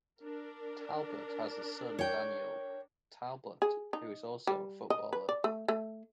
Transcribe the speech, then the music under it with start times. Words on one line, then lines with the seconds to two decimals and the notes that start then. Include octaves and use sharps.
Talbot has a son, Daniel Talbot, who is also a footballer.
0.21 D4 A#4
1.99 C#5 G5
3.62 G#4
3.93 D#4
4.47 G3
4.90 D#5
5.13 B4
5.29 D5
5.44 A3
5.68 A3